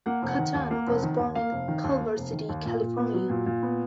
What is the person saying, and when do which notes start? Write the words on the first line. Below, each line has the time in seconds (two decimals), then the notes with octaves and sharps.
Kattan was born in Culver City, California.
0.06 A#3 F#5
0.22 F1
0.28 F#5
0.38 D#3
0.54 D#2
0.71 A#3
0.87 F1
1.03 D#3
1.19 D#2
1.35 A#3 F5
1.52 F1
1.68 D#3
1.84 D#2
2.00 A#3
2.16 F1
2.33 D#3
2.49 D#2
2.65 A#2
2.81 A#2
2.97 B3
3.14 F#3
3.30 A#2
3.46 A#2
3.62 B3